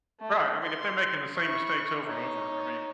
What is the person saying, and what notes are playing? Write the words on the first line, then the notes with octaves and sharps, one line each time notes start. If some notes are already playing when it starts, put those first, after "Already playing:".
Right. I mean, if they're making the same mistakes over and over, I mean,
A3
C6
E4 C#6
D#4 C#5